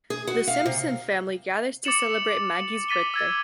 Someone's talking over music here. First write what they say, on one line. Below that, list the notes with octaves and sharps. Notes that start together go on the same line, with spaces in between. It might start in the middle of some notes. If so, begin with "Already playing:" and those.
The Simpson family gathers to celebrate Maggie's birthday.
G#4
F#4
F5
C3
D6 A6 C#7 E7 F#7
D6 A6 B6 D#7 G7
E6 G#6 A6